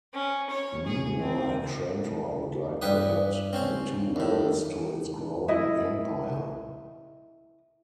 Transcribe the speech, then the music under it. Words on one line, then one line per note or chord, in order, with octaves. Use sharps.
Meanwhile, Trantor would like to add the two worlds to its growing empire.
C#4
C#5
G#4
C4
G2 G4 B4 D#6
C4 C#4 C5
D#2 A2
E4 D#5